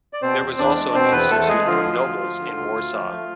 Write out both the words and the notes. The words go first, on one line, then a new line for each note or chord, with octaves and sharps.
There was also an "Institute for Nobles" in Warsaw.
D5
B2 C4 C5
E2
E2 D4 D5
G#3
B2 C4 C5
E2 B3 B4
E2 A3 A4
A4
G#3 G#4
D3 F3 F4
D2
D2
F3
D3
D2
D2
F3
A3